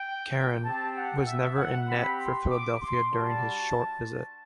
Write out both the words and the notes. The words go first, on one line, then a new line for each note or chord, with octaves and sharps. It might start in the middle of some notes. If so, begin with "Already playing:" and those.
Caron was never in net for Philadelphia during his short visit.
Already playing: G5
C4 G4 A5
F#5
E5
F#5
C4 G4 B5
C6
D6
C6
G3 D4 F#4 A5